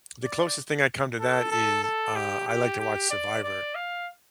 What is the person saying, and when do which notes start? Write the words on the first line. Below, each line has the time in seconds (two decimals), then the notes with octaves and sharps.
the closest thing I come to that is, uh, I like to watch Survivor,
0.24 D5
1.20 A4
1.52 A4
1.84 A4
2.16 G4
2.47 G4
2.79 G4
3.11 D5
3.44 D5
3.75 F5